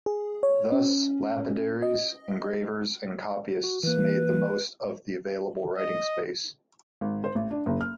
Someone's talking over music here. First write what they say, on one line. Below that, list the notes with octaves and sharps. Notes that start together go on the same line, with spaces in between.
Thus, lapidaries, engravers and copyists made the most of the available writing space.
G#4
C#5
C#4
D#5
F#4
E3 A#3 B4
D#5
G#1
C5
A1
D4
F#1
F6